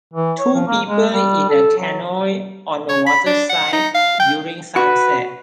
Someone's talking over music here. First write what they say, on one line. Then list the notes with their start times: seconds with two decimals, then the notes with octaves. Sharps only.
Two people in a canoe on the waterside during sunset.
0.14 E3
0.39 C#5
0.54 F3
0.67 A#3
0.86 G#3
1.11 G3
1.49 A4
1.77 F#3
2.89 C#5
3.06 B5
3.26 D4
3.49 F#5
3.73 D#4
3.95 F5
4.19 G5
4.76 F#4 B4